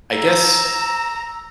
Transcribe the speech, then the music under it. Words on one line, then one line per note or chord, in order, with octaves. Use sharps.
I guess
A#5 E6